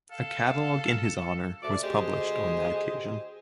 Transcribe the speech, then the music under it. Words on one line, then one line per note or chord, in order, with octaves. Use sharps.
A catalog in his honor was published on that occasion.
A4 F5
D2 A3 D5
D2 G4 G#4 C5 D#5